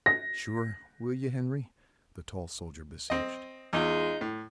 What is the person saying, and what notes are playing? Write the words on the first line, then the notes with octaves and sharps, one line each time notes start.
"Sure--will yeh, Henry?" the tall soldier beseeched.
A#6
C4 D#5
E2 G#3 D#4 F4
A2